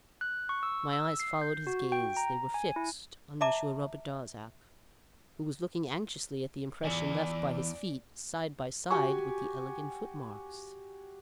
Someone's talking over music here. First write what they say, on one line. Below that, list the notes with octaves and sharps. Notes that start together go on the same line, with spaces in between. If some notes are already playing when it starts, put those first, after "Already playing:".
My eyes followed his gaze; they were fixed on Monsieur Robert Darzac, who was looking anxiously at the impression left by his feet side by side with the elegant footmarks.
F#6
C#6
E6
E6
C7
G6
F#4
G5
A#5
G#5
E4
D5 E5 A5 A#5 D6
E2 D5 G#5
F#4 G4 G#5 C#6